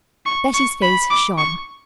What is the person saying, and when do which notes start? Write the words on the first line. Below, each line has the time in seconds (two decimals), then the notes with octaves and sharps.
Betty's face shone.
0.26 C#6
0.54 C#6
0.82 B5
1.10 D6
1.38 C#6